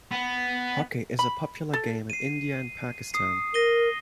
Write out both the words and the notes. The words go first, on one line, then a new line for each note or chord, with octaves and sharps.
Hockey is a popular game in India and Pakistan.
B3
B5
A4
C7 D#7
D#6 C7
A#4 A#6 D#7 G7